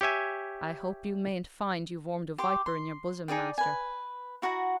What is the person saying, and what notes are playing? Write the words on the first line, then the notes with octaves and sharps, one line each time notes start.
"I hope you mayn't find you've warmed a viper in your bosom, master."
G4 C#5 E5 G#5
G4 C6 D6
C6
D#4 G#4 D5 G5
B4 G#5
E4 F#4 F#5 A#5